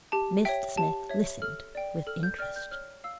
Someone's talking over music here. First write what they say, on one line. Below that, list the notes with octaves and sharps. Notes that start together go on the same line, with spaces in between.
Mr Smith listened with interest.
G4 A5
C#5 E5 G5
G4 A5
C#5 E5
A4 F6
D5 G5
A4 F6
G6
D5 G5 F6
G6
C#5 F6
F5 E6